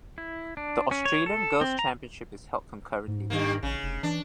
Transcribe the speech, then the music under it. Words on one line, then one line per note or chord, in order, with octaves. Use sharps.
The Australian Girls Championship is held concurrently.
E4
D4
C#4
C#5
A4
C4
A#5
G#2
G2 D#3 A#3
A1 C#3
F1
E3 D4